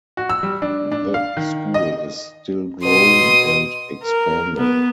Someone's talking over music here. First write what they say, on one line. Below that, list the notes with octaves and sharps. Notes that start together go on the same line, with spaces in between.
The school is still growing and expanding.
F#4
E6
G3
D4
D4
F5
D#3
D#5
B2 C6 D#6
A#4
B3